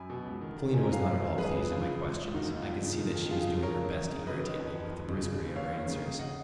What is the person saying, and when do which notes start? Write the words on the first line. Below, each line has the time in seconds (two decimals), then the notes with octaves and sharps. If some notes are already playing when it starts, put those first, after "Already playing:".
Polina was not at all pleased at my questions; I could see that she was doing her best to irritate me with the brusquerie of her answers.
Already playing: F#2 G#5 B5
0.10 B2
0.26 C#2
0.41 D#3
0.57 D#3
0.74 F2 G#5
0.83 A#5
0.90 F2 F5 G#5
1.05 F#2
1.22 D#3
1.38 C#2 G#4 B4
1.54 C#2
1.70 C#3 F4 G#4
1.86 C#3
2.02 C#2
2.18 C#2
2.34 D#3 D#4 F#4
2.50 D#2
2.57 F4
2.67 F2
2.82 C#3
2.98 D#3
3.15 F2
3.30 C#3 F4 G#4
3.47 C#3
3.63 C#3 A#4 C#5
3.79 C#3
3.95 C#3
4.12 C#3
4.27 F#2 B4 D#5
4.43 D#3
4.59 F2
4.75 F2
4.92 F2
5.08 C#3
5.23 C#3
5.40 D#2
5.55 D#2 C#5 F5
5.72 D#3
5.88 C#3
6.04 C#3
6.19 D#5 F#5